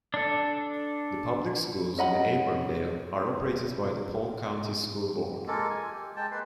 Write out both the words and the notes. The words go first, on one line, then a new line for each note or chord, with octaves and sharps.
The public schools in Auburndale are operated by the Polk County School Board.
D4 A4
C#4 D#5 F#5 B5
G#3 A#3 F4 A4
G#5
G4
G#3 G5 A5
A#3 B4 C6